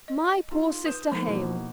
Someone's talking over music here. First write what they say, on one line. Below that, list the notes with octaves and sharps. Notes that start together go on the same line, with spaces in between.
My poor sister Hale!
D#5
D#4 F4 G#4
B4 D#6 G6 E7
F3 G#3 A3 D#4 A#4
E2 B2 A#3 E4